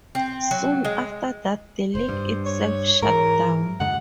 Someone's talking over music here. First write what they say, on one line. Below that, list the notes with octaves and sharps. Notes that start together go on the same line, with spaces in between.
Soon after that the league itself shut down.
C4
F#3
G#3
F1 C5
G2
C#5
G#2 E3 A#4
F#2 D3 G#3 F#5